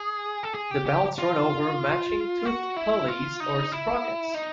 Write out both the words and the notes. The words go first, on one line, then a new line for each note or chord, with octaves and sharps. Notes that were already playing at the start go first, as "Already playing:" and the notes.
The belts run over matching toothed pulleys or sprockets.
Already playing: G#4
A4
G#4
G4
G4
F4
F#4
E4
F4
D#4
E4
D#4